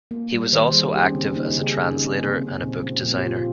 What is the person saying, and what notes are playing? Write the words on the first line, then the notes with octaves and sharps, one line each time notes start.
He was also active as a translator and a book designer.
A#3
G3
D#3 C5
G3 G#4
G3 G4
C#4
C#3 C4
C#4
A#3 D#4
G4
C#3 G#4
G4
C3
C#4
D#4
G3
C4
C3 A#3
C4
C3
C4
A#2 C4
F3 C4
A#2 A#3
C4
G4
A#2 F4
F4